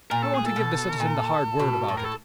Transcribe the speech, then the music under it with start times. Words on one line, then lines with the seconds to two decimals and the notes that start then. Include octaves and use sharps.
I want to give the citizen the hard word about it.
0.11 A#2 A#4
0.23 A4
0.35 G#4
0.46 A4
0.56 B2
1.00 A#2
1.59 B2
1.89 A2
1.97 A#4
2.05 A4